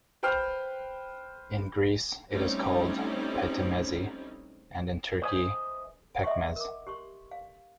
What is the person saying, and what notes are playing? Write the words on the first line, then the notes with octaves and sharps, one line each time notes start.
In Greece, it is called "petimezi" and in Turkey "pekmez".
B4 C5 G5 C6 F6
G3 A3 C4 C#4 D#4 E4
B4 C5 D#5 E5 G#5
A4 D#5 E5 F#5 C6 C#6
A#4 D6
G4 C6 C#6
F5